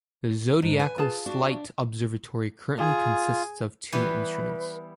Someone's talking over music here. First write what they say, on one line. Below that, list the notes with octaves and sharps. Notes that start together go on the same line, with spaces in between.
The Zodiacal Light Observatory currently consists of two instruments.
G#2 D4
B4 G#5
F4 G#4 A5
D4 F#4
F4 G#4
E3 G3 B3 B4